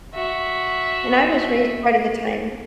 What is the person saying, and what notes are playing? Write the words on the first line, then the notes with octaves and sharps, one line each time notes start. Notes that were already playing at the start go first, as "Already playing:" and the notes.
And I was raised part of the time
F#4 E5